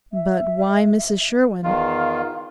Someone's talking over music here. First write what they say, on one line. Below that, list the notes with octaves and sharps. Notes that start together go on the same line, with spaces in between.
'But why Mrs Sherwin?
E5
E2 D#3 F4 F5